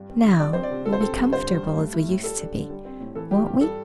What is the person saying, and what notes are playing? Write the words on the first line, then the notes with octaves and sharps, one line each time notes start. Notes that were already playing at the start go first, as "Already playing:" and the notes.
"Now we'll be comfortable as we used to be: won't we?"
Already playing: G2 G3
C4
D3
G3 D5
C4 C5
D5
C3
D3 A4
C5
C4 A4
G2
D3 C5
G3
G2
A3
E4
A2
G3 A4
D4
D3
G3
C4
A2
E3 A4
G3 G4
G2 G4
G3 A4